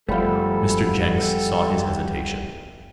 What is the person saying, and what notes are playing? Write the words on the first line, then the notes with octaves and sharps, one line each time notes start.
Mr. Jenks saw his hesitation.
F#1 F3 G3 A3 B3 A4